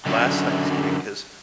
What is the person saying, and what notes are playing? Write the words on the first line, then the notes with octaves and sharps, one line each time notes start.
last Thanksgiving, 'cause
F#2 D3